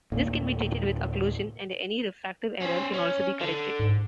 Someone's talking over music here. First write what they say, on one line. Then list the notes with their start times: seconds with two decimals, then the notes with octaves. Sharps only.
This can be treated with occlusion, and any refractive error can also be corrected.
0.12 D2 A2 A#3
2.62 C#4 C5
2.93 C#4
3.41 D3
3.79 G#2